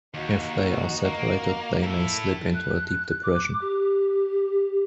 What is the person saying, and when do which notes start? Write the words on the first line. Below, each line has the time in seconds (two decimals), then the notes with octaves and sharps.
If they are separated, they may slip into a deep depression.
0.14 D#2 D#4 F#4
1.06 A#3
1.83 E4 A4
2.54 F#6
3.23 D6
3.62 G4